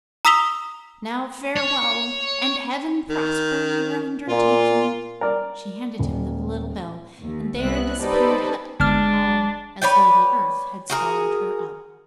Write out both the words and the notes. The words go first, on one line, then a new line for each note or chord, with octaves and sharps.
Now farewell, and heaven prosper your undertaking.' She handed him the little bell, and there disappeared hut and all, as though the earth had swallowed her up.
A#5 D#6 E6 B6 F7 G7
C#5
D#3
A#2 F4
A#4 D5
D#1
D#2
C2 B3 E5 F#6
D#4 G4 A4 B4 C5 D5
G1 G#3 D4 F6
B4 C#5 D5 G5
F#4 G#4 A#4